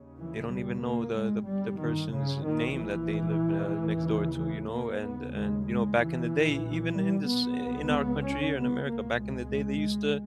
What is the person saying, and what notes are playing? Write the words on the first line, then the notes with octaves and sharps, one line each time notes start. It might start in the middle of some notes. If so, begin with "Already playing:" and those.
they don't even know the the the person's name that they live, uh, next door to, you know, and and you know, back in the day, even in this eh in our country or in America, back in the day, used to
Already playing: D#2 C#3
E3
G3
A#3
G1 G2 G#3
G3
D#3
C#3
A#1 A#2 D#3
E3
D#2 C#3
E3
A#3
D#2 C#3 B3
G#3
G#3
E3
B1 A#2
G3
B3
C#2 C#3
C#4
B3
C#2 B2 A#3
G#3